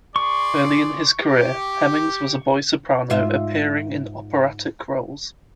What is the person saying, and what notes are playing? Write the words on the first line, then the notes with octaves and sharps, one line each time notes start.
Early in his career, Hemmings was a boy soprano appearing in operatic roles.
G#4 D5 C6 C#6
G4
G#2 F4 E5